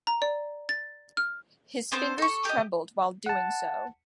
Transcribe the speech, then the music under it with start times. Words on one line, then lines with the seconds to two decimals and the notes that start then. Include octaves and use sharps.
His fingers trembled while doing so.
0.07 A#5
0.22 D5
0.69 A6
1.17 F6
1.92 B3 C4 C5
2.18 A4 C#6
2.45 G4 D#5
3.26 F#5 A5